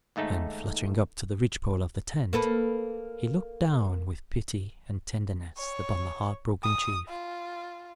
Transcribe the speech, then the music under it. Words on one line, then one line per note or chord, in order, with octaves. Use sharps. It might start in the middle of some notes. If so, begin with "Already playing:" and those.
And, fluttering up to the ridgepole of the tent, he looked down with pity and tenderness upon the heart-broken chief.
D#2 G#2 A3 D#4 A4
A#3 A4 B4
C#5
D#6
F4